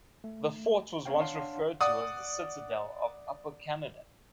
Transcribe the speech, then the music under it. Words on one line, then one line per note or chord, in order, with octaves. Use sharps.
The fort was once referred to as the "Citadel of Upper Canada".
A3
B3 C#4 C#5 F5 G5
D4 C#5 F5 F#5 A5 C6
D5 F#5 D#6